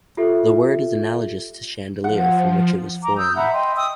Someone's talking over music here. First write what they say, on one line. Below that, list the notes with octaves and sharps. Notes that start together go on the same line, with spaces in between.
The word is analogous to chandelier, from which it was formed.
F4 G4 A4 E5
F3 F#5
A#5 D6
D#6 E6 G6
E5 F#5 A#5 B5
D#5 G5 C6
G5 D#6 E6